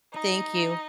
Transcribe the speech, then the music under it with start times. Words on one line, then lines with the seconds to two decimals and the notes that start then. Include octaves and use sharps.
Thank you,
0.13 D#4